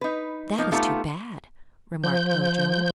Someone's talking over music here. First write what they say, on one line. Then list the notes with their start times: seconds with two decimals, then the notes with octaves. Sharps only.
"That is too bad," remarked Ojo.
0.01 D#4 B4
0.58 F3 A#3 D#4
0.72 A3 B3 D#4 F4 G4 A4
2.04 F3 G6